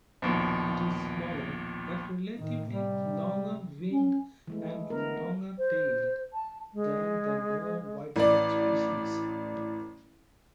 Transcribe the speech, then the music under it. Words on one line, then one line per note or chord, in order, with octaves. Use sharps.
It is smaller, but relatively longer-winged and longer-tailed than the more widespread species.
A#1 D#2 B2 F3
A2 D#3
C3 G3
C#4
E3 G#3 A3
B3 A#4
C5
A5
G#3
A1 D5